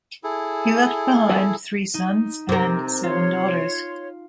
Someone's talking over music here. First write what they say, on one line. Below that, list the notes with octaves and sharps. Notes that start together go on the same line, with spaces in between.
He left behind three sons and seven daughters.
E4 G#4 A4
D#4
C3 A#4
F4 C#5 C6